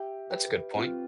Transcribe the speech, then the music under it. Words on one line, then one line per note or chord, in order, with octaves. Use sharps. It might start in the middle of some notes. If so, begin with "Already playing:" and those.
That's a good point.
Already playing: G4 E5
G4 B4
C4 F4